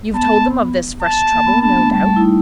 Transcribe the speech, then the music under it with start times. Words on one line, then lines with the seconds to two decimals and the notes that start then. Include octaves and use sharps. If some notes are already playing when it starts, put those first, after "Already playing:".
"You've told them of this fresh trouble, no doubt."
0.14 B3 A5
1.02 A5
1.32 A#3
1.46 B3
1.61 D4 A5
1.76 A3
1.91 G3 A5
2.06 A3
2.16 E4
2.20 D#4